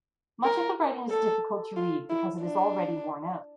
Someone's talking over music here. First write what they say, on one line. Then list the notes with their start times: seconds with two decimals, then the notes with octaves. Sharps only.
Much of the writing is difficult to read because it is already worn out.
0.44 A#4
1.10 A4
1.77 F4
2.09 E4
2.42 D4